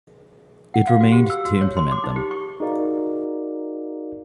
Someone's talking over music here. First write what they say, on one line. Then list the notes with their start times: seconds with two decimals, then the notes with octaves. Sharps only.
It remained to implement them.
0.74 F#5
0.87 F5
1.01 F#4
1.12 G4
1.30 E6
1.45 F#4
1.61 C#5
1.77 C6
1.92 D6
2.04 D#4
2.16 G4
2.31 C#6
2.60 D#4 F#4 G#4 A#4 D5 F5